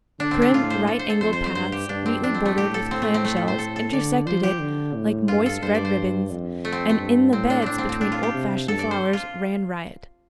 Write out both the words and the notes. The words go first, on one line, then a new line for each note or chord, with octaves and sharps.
Prim, right-angled paths neatly bordered with clamshells, intersected it like moist red ribbons and in the beds between old-fashioned flowers ran riot.
D3 D4
C4
D4
A2 F4
C5
A4
C5
A4
F2 C5
C5
C5
G2 C5
G4
G2 D4
C4
F2 D4
C4
A3
A2 G4
A4
C4
A3
C4
A3
A4
C5
A4
A4
D3 D5
F3 C5
G4
D3
A2
G2 F4
A4
G2 C5
D5
C5
F2
A3
C4
A3
G2
A2 C4
D4
A2 C4 D4
C4
C4
D4
F4
G4
C3
G2 A4
D5
C5
F4